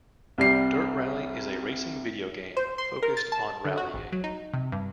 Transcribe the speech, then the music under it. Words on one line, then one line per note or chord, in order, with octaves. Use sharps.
"Dirt Rally" is a racing video game focused on rallying.
C2 G3 C7
C5
C6
A#4
A6
A5
D3
F#4
G#1
F#3
D#4
C3
G2